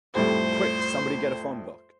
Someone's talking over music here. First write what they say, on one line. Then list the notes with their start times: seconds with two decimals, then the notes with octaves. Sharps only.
Quick, somebody get a phone book.
0.15 F2 A2 G3 C5